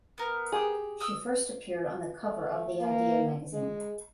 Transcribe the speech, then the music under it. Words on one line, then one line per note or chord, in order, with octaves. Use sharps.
She first appeared on cover of the Idea Magazine.
B3 A#4
G4 G#4
D#6 E6
A3
A#3
G#3